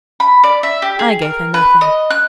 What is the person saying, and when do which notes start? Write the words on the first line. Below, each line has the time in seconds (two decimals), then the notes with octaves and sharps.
'I gave her nothing.
0.20 B5
0.43 D5
0.63 E5
0.82 G4
0.99 G#4
1.22 A#4
1.54 B4
1.81 D#5
2.10 F#6